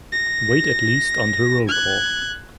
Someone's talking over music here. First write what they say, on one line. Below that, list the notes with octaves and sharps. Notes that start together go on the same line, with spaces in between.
Wait at least until roll call.
A#6
F#6 G#6